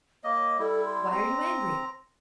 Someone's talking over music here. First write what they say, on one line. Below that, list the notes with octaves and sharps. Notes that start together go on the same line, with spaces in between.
"Why are you angry?"
A#3 C#5 D#5
G3 E4 A4
C6
C4 A#5